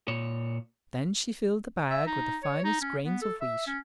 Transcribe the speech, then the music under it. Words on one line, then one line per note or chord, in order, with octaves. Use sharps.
Then she filled the bag with the finest grains of wheat.
A#2 C#5
E5
D#4
C#5
D#4
C#4
B3
A4
E5
C#4